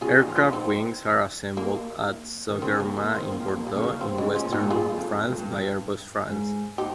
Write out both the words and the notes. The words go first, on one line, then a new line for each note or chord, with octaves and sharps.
Aircraft wings are assembled at Sogerma in Bordeaux in western France by Airbus France.
C#3 F4 G#4
D#4 G4
F3
C#4 F4
C4 D#4
A#3
D#3
C#3 C4
A#3
A#3
D#3 C4
A#3
F3
A#3
G3 A#3
C#3
D#3 A#3
F3
C4
C#3 G#3
C#4 F4
A#2
G#2 D#4 G4
A#2
G2 F4 G#4
F2
G2
F2
G2
G#2
D#4 G4